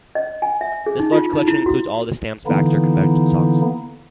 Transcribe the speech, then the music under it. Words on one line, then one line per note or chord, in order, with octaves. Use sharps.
This large collection includes all of the Stamps-Baxter convention songs.
D#5
G#5
E5
G#4
D#4
F4
D#4
E4
F#4
D3 E3 A#3 B3 D#4 E4